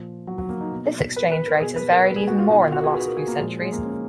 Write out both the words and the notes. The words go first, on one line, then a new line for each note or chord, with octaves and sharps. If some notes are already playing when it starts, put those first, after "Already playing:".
This exchange rate has varied even more in the last few centuries.
Already playing: A#2 F3
F#3
F#3
A#3
D#4
B2
B4
B4
A#4
B2 G#4
B4
A#4
B4
G#4
F#4
F4
B2 D#4
F4
F#4
G#4
B4
A#4
G#4
A#3
A#2 F3 G#3
G#3
A#3
C#4